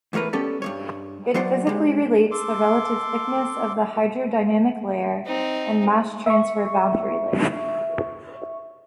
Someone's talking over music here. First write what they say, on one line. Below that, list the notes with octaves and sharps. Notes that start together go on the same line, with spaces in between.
It physically relates the relative thickness of the hydrodynamic layer and mass-transfer boundary layer.
E2 A2 A3 A#4 B4
G3 B3 C#4 G4 A4
G2 C3 C#5
F#3 B3 C5 D5 F#5
G3 G#3
A4 C6 D6
C4 D#4
E5 C#6